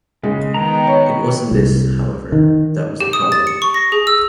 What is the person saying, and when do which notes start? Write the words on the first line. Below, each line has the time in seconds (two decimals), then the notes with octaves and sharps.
It wasn’t this, however, that was the problem.
0.23 C#3 G#3
0.54 D#3 B3 G5 A#5
0.87 C#5
1.52 C2
2.32 D#3
3.00 G4
3.13 D#6
3.32 A6
3.47 C#7
3.62 C#6
3.74 A#6
3.92 G#4
4.07 E6